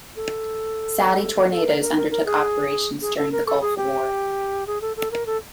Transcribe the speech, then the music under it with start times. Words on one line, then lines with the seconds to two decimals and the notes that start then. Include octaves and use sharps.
Saudi Tornados undertook operations during the Gulf War.
0.16 A4
1.51 A4
1.67 A#4
1.81 A#4
1.96 A#4
2.11 A#4
2.26 G#4
3.02 G#4
3.17 A4
3.32 A#4
3.46 A4
3.61 G#4
3.77 G4
4.67 G#4
4.81 A4
4.97 A4
5.11 A#4
5.26 A4